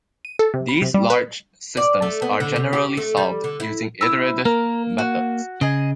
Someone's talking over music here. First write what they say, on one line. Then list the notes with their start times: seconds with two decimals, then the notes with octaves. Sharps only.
These large systems are generally solved using iterative methods.
0.25 D#7
0.39 A4
0.54 C3
0.69 B5
0.82 C3
0.94 G3
1.10 B4
1.77 D5
2.02 A3
2.22 B3
2.40 D3
2.56 C3
2.73 G4
2.97 A3
3.17 G3
3.44 D3
3.60 E4
4.01 E4 E6
4.45 A#3 A#4
4.98 F#4
5.61 C#3 G#4 D#5